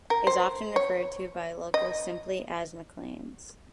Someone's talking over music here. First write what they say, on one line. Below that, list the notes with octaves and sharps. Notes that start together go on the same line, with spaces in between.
Is often referred to by locals simply as McLain's.
A#4
C5
C#5
D#5